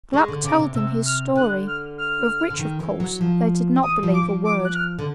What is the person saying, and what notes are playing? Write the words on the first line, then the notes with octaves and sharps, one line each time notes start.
Gluck told them his story, of which, of course, they did not believe a word.
G#3 C#6
D3
C#3 D6
C3
C3 E6
F6
D3 F#6
F6
F6
D3
D#3
E3
F#3
F3
E3 D#6
F3
D6
F3
D6
F#6
F6
D3